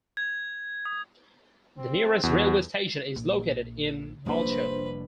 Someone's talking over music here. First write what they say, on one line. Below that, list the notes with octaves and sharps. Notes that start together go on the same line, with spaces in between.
The nearest railway station is located in Malchow.
G#6
D#6
C4
E2 F#4
A#1
F1 A#1 G3 A#3 D4 B4 C5